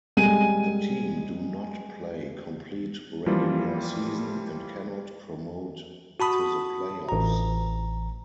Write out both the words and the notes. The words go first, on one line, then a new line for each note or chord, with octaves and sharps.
The team do not play complete regular season and cannot promote to the playoffs.
G3 G#3 G#5 D#7
E3 F3 G3 A#3 F4
F#4 A5 B5 D#6
A1 A#5